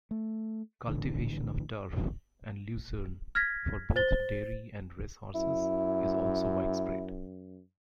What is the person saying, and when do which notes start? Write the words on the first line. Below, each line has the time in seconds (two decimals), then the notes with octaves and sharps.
Cultivation of turf and lucerne for both dairy and racehorses is also widespread.
0.11 A3
0.87 A#1 A2 D3 E3
3.35 F6 G#6 A#6 B6
3.96 C5 A6 G7
5.35 F#2 E4